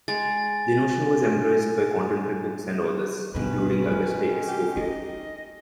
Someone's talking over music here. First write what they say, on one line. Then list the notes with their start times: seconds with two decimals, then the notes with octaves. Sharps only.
The notion was embraced by contemporary cooks and authors, including Auguste Escoffier.
0.08 G#3 G#5 A6
3.35 G2 B2 D#3 C#4 B4
3.92 G#3
4.48 G4
4.76 D#4 D#5